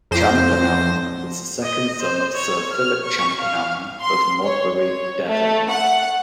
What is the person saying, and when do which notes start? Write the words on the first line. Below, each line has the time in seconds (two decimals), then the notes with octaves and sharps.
Champernowne was the second son of Sir Philip Champernowne of Modbury, Devon.
0.11 F2 C5 A#6
1.63 D#5
2.00 C5
2.35 C#5
2.73 F6
3.04 C#6
3.41 F5
4.00 C6
4.44 C#5
4.76 C#5
5.27 A3
5.70 F#5